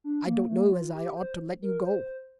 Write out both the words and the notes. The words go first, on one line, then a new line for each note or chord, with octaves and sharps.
"I don't know as I ought to let you go."
D4
A#3
A3
A#3
A3
F4
G4
C5
A#4
C5